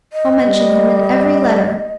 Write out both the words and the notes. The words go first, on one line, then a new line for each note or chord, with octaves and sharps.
I'll mention him in every letter.'
D#5
G3